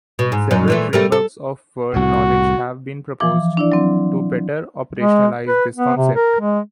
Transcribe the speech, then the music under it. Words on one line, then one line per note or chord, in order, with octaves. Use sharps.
Several frameworks of word knowledge have been proposed to better operationalise this concept.
B2
G#2
F#2 A#2 D#4
A#2 E3 A3
G3 A3 A#4
A4
C2 A2 F#4
E3 F3 D6
D4 E4 D5
F#3 C4
G#3
B4
B3
C3
A#4
G#3